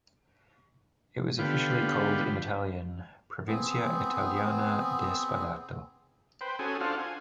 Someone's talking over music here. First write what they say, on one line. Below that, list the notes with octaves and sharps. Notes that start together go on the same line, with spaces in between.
It was officially called in Italian: "Provincia italiana di Spalato".
D3 B3 F4 G4
B3 C4 G#4
B4 C5 G5
C#4 F#4 G#4 A4 G#5
D4 F4 A4 C5 F5 F#5
G#5